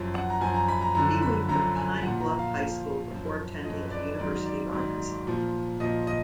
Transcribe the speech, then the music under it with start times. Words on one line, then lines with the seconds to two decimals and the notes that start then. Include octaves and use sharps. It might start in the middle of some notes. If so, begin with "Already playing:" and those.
He went to Pine Bluff High School before attending the University of Arkansas.
Already playing: F#2 F3
0.14 F#5
0.30 A#5
0.41 F#2 F3 G#5
0.54 A#5
0.68 B5
0.81 A#5
0.95 F#2 D3 F3 A#5
1.22 B5
1.49 F#2 D3 F3 A#5
1.76 G#5
2.03 F3 F#5
2.07 A#2
2.21 A#5
2.39 F5
2.57 A#2 F3
3.10 F#2 F3
3.64 F#2 F3 D#5
3.82 B4
3.91 D5
4.18 G#2 D#3 F#3 D5
4.46 D5
4.72 G#2 D#3 F#3
5.27 A#2 F3
5.80 A#2 F3 D#5
6.07 D#5